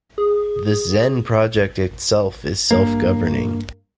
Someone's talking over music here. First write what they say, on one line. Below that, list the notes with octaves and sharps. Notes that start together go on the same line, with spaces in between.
The Xen project itself is self-governing.
G#4
G2 A#3